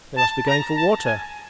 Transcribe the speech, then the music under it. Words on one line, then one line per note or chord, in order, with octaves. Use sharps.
'They must be going for water.'
A5
A#5
A5
G#5